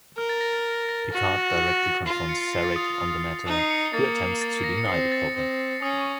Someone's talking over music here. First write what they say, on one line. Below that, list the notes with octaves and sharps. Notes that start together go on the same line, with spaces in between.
Picard directly confronts Sarek on the matter, who attempts to deny the problem.
A#4 F6
A6
A#6
A6
A#6
F#4
F4 C7
C7
C#7
C7
C7
A6
D#6
D#6
D#6
D#4 D#6
C7
C#7
A#3 A6
A6
A#6
C#7
C4 C7
A6
C4
C#4 D#6
C#6